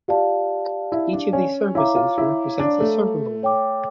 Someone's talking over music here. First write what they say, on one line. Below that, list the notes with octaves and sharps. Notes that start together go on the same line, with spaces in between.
Each of these services represents a server role.
F4 G4 D5 F5 A5
E4
D4
C#4
E4 C#5 F5 A#5 D6
F4
E4
D4
A3
C#5 G5 D6